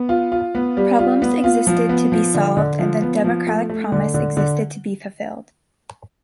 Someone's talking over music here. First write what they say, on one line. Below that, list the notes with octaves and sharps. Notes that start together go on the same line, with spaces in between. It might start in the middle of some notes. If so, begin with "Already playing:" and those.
Problems existed to be solved, and the democratic promise existed to be fulfilled.
Already playing: B3
F4
F4
B3
G3
F4
B3
F4
F3
B3
F3
D3
D3
F3
B3
F3
A3
A3
D3
D3
D3